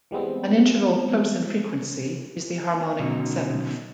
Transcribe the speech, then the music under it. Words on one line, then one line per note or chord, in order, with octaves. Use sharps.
An interval close in frequency is the harmonic seventh.
E3 G3 G#3 B3 C4
B2 D3 F#3 C#4 D#4